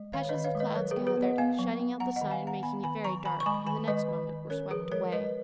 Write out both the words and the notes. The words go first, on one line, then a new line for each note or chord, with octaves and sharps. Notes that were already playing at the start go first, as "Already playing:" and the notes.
Patches of clouds gathered, shutting out the sun and making it very dark, and the next moment were swept away.
Already playing: G#3
D#3 C#5 F5
C#5
B4 D#5
D#3
C#5 F5
G#3
B4 D#5
F#3 A#4 C#5
G#4 B4
B3
G#4 B4
B3
D#5 F#5
B3 F5 G#5
F#3
B3
F#3 F#5 A#5
D#5 F#5
D#3
F5 G#5
B3 F#5 A#5
B3 G#5 B5
D#3 G#5 B5
F#3 A#5 C#6
D#3 G#5 B5
C#6
G#3 G#5 B5
D#3 G#5 B5
G#3 B4 D#5
D#3
D#3
C#4 A#4 C#5
F3 G#4 B4
G#3 A#4 C#5
G#3 B4 D#5